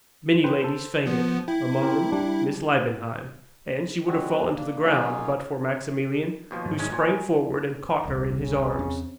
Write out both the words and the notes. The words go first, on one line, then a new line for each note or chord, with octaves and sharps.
Many ladies fainted; among them Miss Liebenheim--and she would have fallen to the ground but for Maximilian, who sprang forward and caught her in his arms.
B4 C5 G5
A4 C5
F3 B3
E4 G5
C4 G4 A#4
G3 D4
D3 F#3 G#3 C4 F#4
A#3 D4
F#3 A#3 C#4 D#4 F4 G#4
D#2 B2 F3
G#2 D#3 F#3
C2 G#3 C#4
A#2 F#4 C#5 G#5
D#1 C2
C#3
E2 C4 C#4